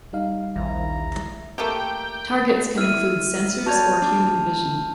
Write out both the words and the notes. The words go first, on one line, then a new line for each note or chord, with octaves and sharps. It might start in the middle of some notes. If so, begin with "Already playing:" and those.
Targets can include sensors or human vision.
G3 D#4 F5
A#1 D#2 E4 A#5
A3 A#3 G4 G5
E4 F6 D#7
F#4 C#5 D5 A5 G6 F7
D4